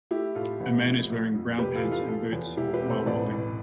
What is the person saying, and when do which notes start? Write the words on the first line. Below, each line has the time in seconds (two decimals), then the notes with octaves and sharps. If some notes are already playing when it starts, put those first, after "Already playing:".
A man is wearing brown pants and boots, while welding.
0.11 A3 E4 G4
0.35 A2 F4 A4
0.60 A1
0.85 F3
1.10 A3
1.34 F2
1.58 F1 G4 B4
1.76 F4 A4
1.83 E3
1.91 F4 A4
2.08 F3 F4 A4
2.33 E2
2.57 E1 E4 G4
2.74 G4 B4
2.82 C3
2.90 A4 C5
3.06 A1 B4 D5
3.31 A2